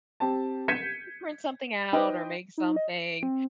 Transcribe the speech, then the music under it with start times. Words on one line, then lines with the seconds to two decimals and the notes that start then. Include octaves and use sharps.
print something out or make something
0.20 C4 G4 A5
0.68 G6 G#6 B6 C#7 D#7 E7
1.93 D#4 B4 C5 D#5 G5
2.58 D#4
2.76 D#5
2.90 C#7
3.02 D7
3.23 C4